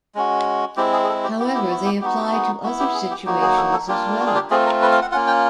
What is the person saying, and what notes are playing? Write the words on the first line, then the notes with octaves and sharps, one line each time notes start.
However, they apply to other situations as well.
G#3 C#4 F#4
G#3 C4 E4 G4
G#4
G#4
A4
G4
B3 E4 G4
G4
F#4
G4
B3 D#4 F#4 G4
G4
G#4
B3 E4 F#4
G4
G#4
G4
F#3 A#3 D#4 F#4 G4
G#4
A4
A4
G3 A#3 D4 F4 G4
F#4
G#4
G4
A3 C4 F4 G#4
A#4
B4
F5
F#5
A#3 C#4 F4 F#5
G5